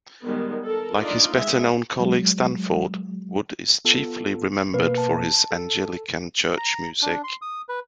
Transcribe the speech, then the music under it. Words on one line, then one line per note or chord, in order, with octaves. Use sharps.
Like his better-known colleague Stanford, Wood is chiefly remembered for his Anglican church music.
D#3 G3 G#3 B3
A4 A#4
D4 D#4 F4 D5
G#3 E5
F#3 G#3
B3 F4 A4
B2 A#3 B4
A5
A4
A#5
D4
C6
D#6
B4